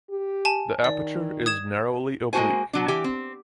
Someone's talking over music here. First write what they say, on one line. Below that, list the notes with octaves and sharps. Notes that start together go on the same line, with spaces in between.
The aperture is narrowly oblique.
G4
G#5 A5
D#3 D5
D#6 G#6 E7
G#3 A#3 F4 F#4 C5 G#5
B2 F#3 D4
E3 G4 G#5
C4